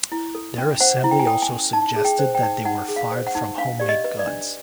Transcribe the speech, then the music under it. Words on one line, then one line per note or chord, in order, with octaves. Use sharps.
Their assembly also suggested that they were fired from home-made guns.
E4
A4
C#4
C5 F#5
E4
G5
G#5
A4 G5
G#5
C#4
D#4 A5
G#4
G5
C5
G5
D#4
D#4 F#5
G#4
F5
C5
F#5
D#4
D4 F5
G4 D5
D#5
B4
D5
D4